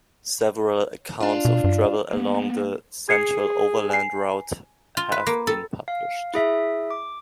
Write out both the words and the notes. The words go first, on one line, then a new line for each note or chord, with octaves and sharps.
Several accounts of travel along the Central Overland Route have been published.
D4 F4
B2
G2
A#3 B3
G#4 G#6 C7 C#7
G#5 C7
F4
B4
A#3
A4
F5
E4 G#4 E5
D6